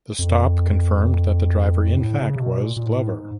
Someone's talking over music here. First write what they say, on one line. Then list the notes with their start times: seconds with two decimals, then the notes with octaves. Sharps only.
The stop confirmed that the driver in fact was Glover.
0.19 F2
1.97 A2
2.18 C#3
2.36 C3
2.41 B2
2.63 A#2
2.76 A#2
2.86 A2
3.08 G#2